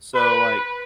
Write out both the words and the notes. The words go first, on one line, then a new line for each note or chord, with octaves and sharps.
So, like,
B4